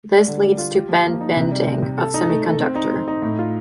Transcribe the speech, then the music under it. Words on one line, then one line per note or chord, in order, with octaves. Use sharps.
This leads to band bending of semiconductor.
G3
D3
G3
F4
G4
F3
A#3
D#4
C3
G3
C3
C3
A4
D#4
A3
A3
C4
D#4
C4
D#4
A2
F4